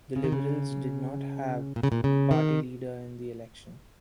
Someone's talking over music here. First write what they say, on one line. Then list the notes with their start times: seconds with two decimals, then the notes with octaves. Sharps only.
The Liberals did not have a party leader in the election.
0.16 C#3
0.24 D#3
0.32 C#3
1.76 A#2
1.83 C#3
1.92 A#2
2.04 C#3
2.31 D#3